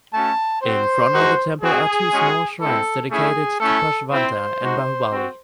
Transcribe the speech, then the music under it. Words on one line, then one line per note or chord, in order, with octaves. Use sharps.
In front of the temple are two small shrines dedicated to Parshvanatha and Bahubali.
A3 C#4 F#4 A5
C4 F#4 C5
G#3 D#4 F#4
C4 F#4 G#4
G#3 C#4 F#4
G#3 C4 E4 A4
A3 C#4 E4 G#4
A3 C#4 E4 A4
C4 E4 C5
G#3 D#4 F#4
C4 F#4